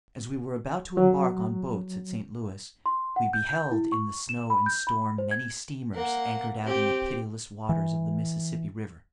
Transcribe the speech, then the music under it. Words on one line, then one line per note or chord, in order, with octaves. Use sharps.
As we were about to embark on boats at St. Louis we beheld in the snow and storm many steamers anchored out in the pitiless waters of the Mississippi River.
F#3
C6
F#5
G6
G6
E4
C#6
E7
B5
G6
B5
C5
G#6
A#3 F#5
C4 G4
E3